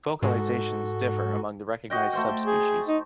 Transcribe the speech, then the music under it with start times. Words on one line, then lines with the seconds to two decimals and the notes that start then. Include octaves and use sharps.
Vocalizations differ among the recognized subspecies.
0.22 G#2 F#4 A4
1.90 F#4 D#5 G5
2.13 A3 C5 G5
2.46 G#4
2.87 D#4